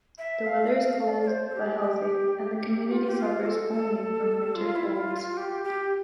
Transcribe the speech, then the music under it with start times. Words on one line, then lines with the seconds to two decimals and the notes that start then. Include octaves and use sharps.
The weather is cold, but healthy, and the community suffers only from winter colds.
0.18 E5
0.46 F5
0.66 F5
0.86 F5
1.07 D5
1.22 D5
1.27 C5
1.50 A4
1.55 G4
1.82 G4
2.91 F4
3.07 G4
3.18 F4
3.45 A4
3.73 A4
4.55 F4
4.75 E4
4.96 F4
5.16 F4
5.37 G4
5.64 G4